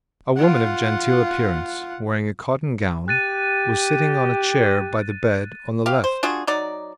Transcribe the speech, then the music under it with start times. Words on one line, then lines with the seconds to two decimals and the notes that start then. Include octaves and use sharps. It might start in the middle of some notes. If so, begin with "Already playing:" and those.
A woman of genteel appearance, wearing a cotton gown, was sitting on a chair by the bed on the left.
0.36 F4 F#5
3.08 G4 F#6 A6 D#7
5.86 G4 F5
6.04 C5
6.23 D4 F4 F#4 G#4
6.47 F#3 D#4 D5